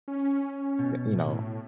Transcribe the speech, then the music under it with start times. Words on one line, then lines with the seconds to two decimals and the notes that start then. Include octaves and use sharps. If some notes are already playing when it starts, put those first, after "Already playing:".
eh, you know?
0.08 C#4
0.79 B2
1.13 A2